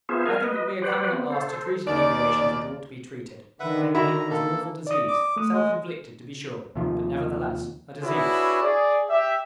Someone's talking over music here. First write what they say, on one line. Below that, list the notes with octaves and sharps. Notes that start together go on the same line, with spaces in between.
I think that we are coming at last to treat inebriation as it ought to be treated, namely, as an awful disease, self-inflicted, to be sure, but nevertheless a disease.
B3 F4 G#4 C5 E5
A#4 F5 G#5
B4 D#5
G4 B4 C5 D5 F#5
B3 C4
A4 C5
D#2 D5
D3 D#3 B4 E5 F#5
E4 F#4 E5 A#5
A#3 A4
D5 D#6
D6
A3 D#6
G#3
D#2 C3 F3
D4 E4 F#4 G#4 B4 C#5
G#4 D5
G4 E5